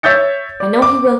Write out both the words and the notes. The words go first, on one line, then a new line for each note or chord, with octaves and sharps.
I know he will!
C#5 E5 G6 A6 C#7
D5
D6